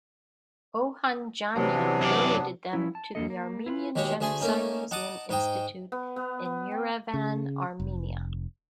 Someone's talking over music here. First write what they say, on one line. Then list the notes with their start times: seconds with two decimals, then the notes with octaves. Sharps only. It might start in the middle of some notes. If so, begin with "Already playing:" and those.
Ohandjanyan donated them to the Armenian Genocide Museum-Institute in Yerevan, Armenia.
1.55 C3 E3 F#3 B3 D4
2.02 F#2 D5
2.73 F3 C#4 E4 B4
2.95 A5
3.15 E2 A#3 D4 A4 D#5
3.30 A#3
3.66 E4 F4 A#4 B4
3.96 D#2 B2 G#3 G4 C#5
4.21 D2 A3 G#4 G#5 C6
4.41 A3 A#3 C#4 D#4
4.91 D#4 F#5 A5 D6 D#6
5.29 G#2 D#4 D#5 G5
5.92 B3
6.16 B3
6.45 B3
6.71 G5
7.14 C#3
7.80 F1